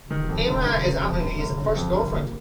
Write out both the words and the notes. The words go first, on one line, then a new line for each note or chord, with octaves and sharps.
Emma is Antony's first girlfriend.
D#3
F2
G1
G1
C#3
F2
G1
G1
C#3
F2
G1
A#3